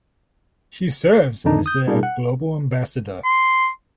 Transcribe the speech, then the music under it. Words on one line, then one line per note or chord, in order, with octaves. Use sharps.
She serves as their Global Ambassador.
F2 D3 D#3 D4 D#4
D#6 G6
B2 G3 D4 E4 G#4 A#4
F#5
C6